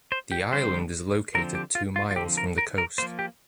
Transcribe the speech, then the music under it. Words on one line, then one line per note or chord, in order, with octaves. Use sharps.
The island is located two miles from the coast.
C5
G4
D3 G3 C4 C5
D3 F3 C4 A#4
G4
F4
F4
F4
D3 F3 C4 G4
A#4
A#4
A#4
F3 A#3 C5
G4